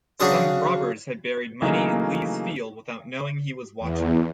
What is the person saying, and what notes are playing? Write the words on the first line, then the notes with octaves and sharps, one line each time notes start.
Some robbers had buried money in Li's field without knowing he was watching.
C#3 F#3 C#4 D4 G#4 C5
C#3 E3 F#3 A3 A#3 D#4
E2